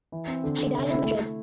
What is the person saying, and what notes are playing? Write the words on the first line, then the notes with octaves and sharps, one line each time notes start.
She died in Madrid.
E3
C4
D3
D3
C3
E4
A3
A3